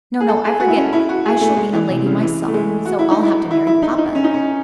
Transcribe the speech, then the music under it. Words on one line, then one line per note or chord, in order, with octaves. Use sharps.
"No, no, I forget, I shall be a lady myself: so I'll have to marry papa."
G#4
A4
G#4
F#4
E4
C#4
E4
F#4
G#4
A3
G#3
E3
C3
C#3
E3
A3
G#3
F#4
E4
D#4
E4
E4
E4
D#4
D#4
C#4
D#4
C#4